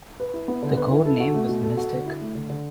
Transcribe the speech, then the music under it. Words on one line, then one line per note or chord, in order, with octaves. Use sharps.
The code name was Mystic.
B4
E4
B3
D3
B4
E4
A4
F#4
A3
B2
A4
F#4
D3
E4
A3
D3
D3